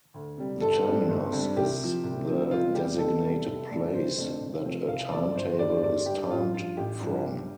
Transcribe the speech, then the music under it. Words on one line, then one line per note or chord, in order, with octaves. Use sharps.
The terminus is the designated place that a timetable is timed from.
D2
C3 G3
G1 A4
G2 G3 C4
G1
G2 G3 C4
C2 G4
C3 F3
C2
C3 F3
F2 F4
C3 G3 G4
F2 A4
C3 G3
F1
F2 D3 A3 D4
F1 C5
F2 D3 A3 D4
C2
C3 F3 A3 C4
C2 F5
C3 F3 A3 C4 D5
G1 C5
G2 G3 D4 D5
C5
G1 D5
G2 G3 D4 G4
A1 F4
G2 F3 F4
A1 G4
G2 F3
G2